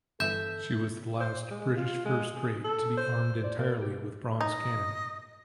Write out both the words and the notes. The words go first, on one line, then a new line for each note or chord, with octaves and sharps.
She was the last British First Rate to be armed entirely with bronze cannon.
G1 E3 A4 E5 G6
C5
G#3
F4
G#3
G#4
A4
C5
D5
A#3
G4
D#4 D#5